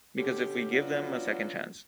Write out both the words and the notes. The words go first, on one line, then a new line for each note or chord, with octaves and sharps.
Because if we give them a second chance.
B2 D3 C#4 G4
F#3 B3 C#4 D4 F4 F#4